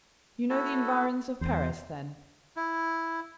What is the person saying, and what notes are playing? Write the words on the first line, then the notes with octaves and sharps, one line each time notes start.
"You know the environs of Paris, then?"
E4 F#4 A4
E2 C5
E4